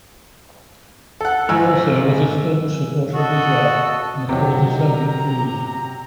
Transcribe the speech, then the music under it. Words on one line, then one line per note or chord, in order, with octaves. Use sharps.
He also was a staunch supporter of Israel and the cause of Soviet Jews.
A4 F#5
G#1 G#5 E6
F#4 A4 D#5
C3 D#3 F#3
A#5